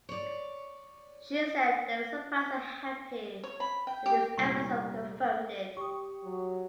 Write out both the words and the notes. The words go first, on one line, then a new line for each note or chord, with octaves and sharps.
She said they were surprised and happy that this episode confirmed it.
C#5 D5
C#5
B5
G5
G4
F1 E2 A#2 G3 C#6
G4 C#6 D#6
F#3